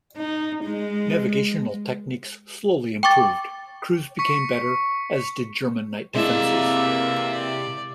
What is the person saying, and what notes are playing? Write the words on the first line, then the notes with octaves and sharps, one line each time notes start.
Navigational techniques slowly improved, crews became better, as did German night defenses.
D#4
G#3
G5 C#6 D6 A6
C#6 B6 C#7
C3 E3 G#3 A#3 E4 D5 E5 A5
D5